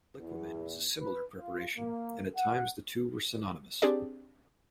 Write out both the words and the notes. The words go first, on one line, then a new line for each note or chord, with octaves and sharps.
Liquamen was a similar preparation, and at times the two were synonymous.
E2
B4
F4
A#3
F#5
C4 D4 G4 G#4 D5